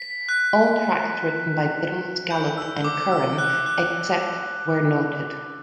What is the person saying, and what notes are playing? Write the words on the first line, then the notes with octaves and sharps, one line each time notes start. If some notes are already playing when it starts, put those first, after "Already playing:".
All tracks written by Biddles, Gallup and Curran, except where noted.
Already playing: B6
F#6
G6
E6
D6
E6
F#6
F#6